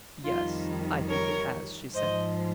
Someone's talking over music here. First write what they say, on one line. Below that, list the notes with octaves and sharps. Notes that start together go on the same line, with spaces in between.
"Yes, I think it has," she said.
F2 D#3 G3 F4
A#4 C#5
G#2 F3 G#3 C5 D#5